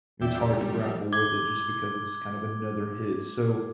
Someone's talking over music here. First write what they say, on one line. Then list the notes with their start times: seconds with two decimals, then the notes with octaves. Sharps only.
it's hard to grapple with it just because it's kind of another hit, so
0.21 E2 C#3 D5 E5 G5
0.40 G3
0.57 G1 G#2 B2
0.77 F3 A3 A#3
1.13 D6 G#6 G7